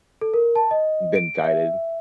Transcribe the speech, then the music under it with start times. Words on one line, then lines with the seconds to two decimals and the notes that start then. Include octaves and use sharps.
been guided.
0.21 A4
0.34 A#4
0.56 A5
0.71 D#5
1.16 D7
1.44 E5